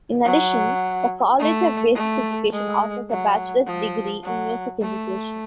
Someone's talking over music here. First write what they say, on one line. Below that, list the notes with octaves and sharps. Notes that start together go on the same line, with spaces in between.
In addition, the College of Basic Education offers a bachelor's degree in music education.
F#3
A3
A3
G#3
F#3
F3
F#3
A3